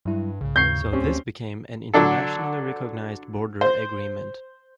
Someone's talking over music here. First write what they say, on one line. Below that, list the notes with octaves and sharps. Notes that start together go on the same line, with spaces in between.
So this became an internationally recognised border agreement.
G2 F#3 G3 E4
B1 G#2 C#3
D#2 G#2 C#6 G6 C7
D2 C4 C#4 G4
D3 F#3 D4 A4
C5